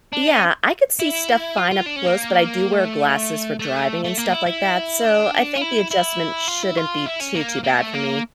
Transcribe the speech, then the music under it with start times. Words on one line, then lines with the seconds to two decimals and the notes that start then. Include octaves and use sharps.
Yeah, I could see stuff fine up close, but I do wear glasses for driving and stuff like that, so I think the adjustment shouldn't be too, too bad for me,
0.13 D4
0.28 C#4
0.99 E4
1.57 F4
1.71 F4
1.86 D4
1.96 C#4
2.06 A#3
2.73 A3
3.59 A3
4.04 A3
4.18 A#3
4.32 E4
4.47 E4
5.04 D4
5.56 F4
5.61 E4
5.91 E4
6.48 F4
6.63 E4
6.78 F4
7.06 E4
7.20 C#4
7.35 A#3
7.64 A#3
7.78 A3
7.93 A#3